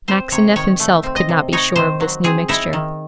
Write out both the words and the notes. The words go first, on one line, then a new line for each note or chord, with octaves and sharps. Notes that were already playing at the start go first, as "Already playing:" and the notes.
Maxineff himself could not be sure of this new mixture.
C4 C5
C3 C#5
D#3 C#5
A3
C4
D#5
C3
D#4 C#5
D#3 C5
F#3
C4 G#4
D#4 E4
D#3